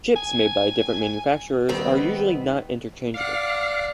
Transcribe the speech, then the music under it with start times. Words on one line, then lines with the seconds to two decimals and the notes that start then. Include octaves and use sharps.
Chips made by different manufacturers are usually not interchangeable.
0.16 G#5
1.69 D#3 G3 B3 C4
3.14 D5 F5 F#5